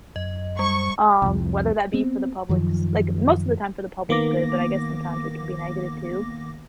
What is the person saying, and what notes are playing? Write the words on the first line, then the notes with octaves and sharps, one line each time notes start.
um, whether that be for the public's like, most of the time for the public's good, but I guess sometimes it can be negative too.
F#2 D#5
G3 C#6
C2 F2
B3 C4
F#2 D#3 F3
D#3 A#3 B3 D6 A#6